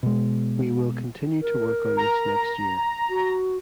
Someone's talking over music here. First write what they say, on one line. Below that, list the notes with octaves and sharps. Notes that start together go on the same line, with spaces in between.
We will continue to work on this next year.
B2 G#3
A#4
A#5
F#4